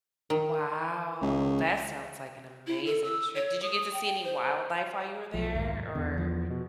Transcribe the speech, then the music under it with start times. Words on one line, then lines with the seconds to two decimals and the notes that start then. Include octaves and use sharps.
Wow. That sounds like an amazing trip. Did you get to see any wildlife while you were there or
0.30 D#3
1.22 C#2
2.67 E4
2.86 A4
3.04 E6
3.35 C#5
3.63 D#6
3.93 G5
4.24 C5
5.34 B1 F3
5.55 D#2 G#2
5.95 E2 D3
6.18 F3
6.50 B2